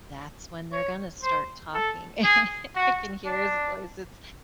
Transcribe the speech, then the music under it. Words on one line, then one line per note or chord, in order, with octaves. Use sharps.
that's when they're gonna start talking," and I can hear his voice, it's
C#5
C5
A4
G#4
F#4
D4